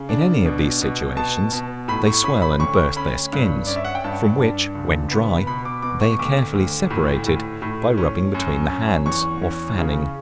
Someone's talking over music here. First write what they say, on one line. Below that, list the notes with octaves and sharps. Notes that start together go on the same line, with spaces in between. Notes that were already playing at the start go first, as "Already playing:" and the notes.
In any of these situations, they swell and burst their skins, from which, when dry, they are carefully separated by rubbing between the hands, or fanning.
Already playing: C#3
D4
B2
B2
B2 A5
B2
A2 B5
C#6
C#4 B5
B5
D2 C#6
C#4 B5
G2
C#4 D5
E5
F#5
G5
G2 A5
D4
C#2
B3
B2 B5
D6
B2 D6
C#6
D2 D6
D2
A2
A2
A2
C#4
F#2
C#4
E2 C#6
C#4
C#3